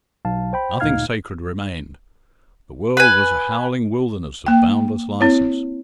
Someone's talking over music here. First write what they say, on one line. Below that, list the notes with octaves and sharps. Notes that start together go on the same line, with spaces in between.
Nothing sacred remained. The world was a howling wilderness of boundless license.
B1 F5 A5
C5 G5 B5
D2 A#2 D#4 F5 F6 G#6
B4 G#5
A#3 G5
C4 E4 C#5